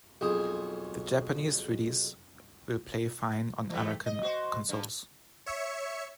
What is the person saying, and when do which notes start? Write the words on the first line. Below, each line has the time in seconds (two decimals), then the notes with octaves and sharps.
The Japanese release will play fine on American consoles.
0.21 B1 F2 G#4
3.69 E3 G3 A3
4.06 D#5
4.23 F#4 C5
4.69 G2
5.46 C#5 E5 C#7